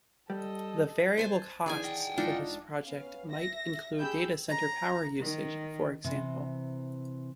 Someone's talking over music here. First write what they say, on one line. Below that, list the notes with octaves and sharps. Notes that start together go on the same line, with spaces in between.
The "variable costs" for this project might include data centre power usage, for example.
G3 A4 D#5
C5 G#5 A5
D#3 E3 G#4 D5 G#5
F#5 G5
G#2 E3 D4 D#4 F4 A4 F5 A6
B3 C#4 F5
E5 A#6
G4 G#4 B5 E6 G6
A#5
D#3
C3 E3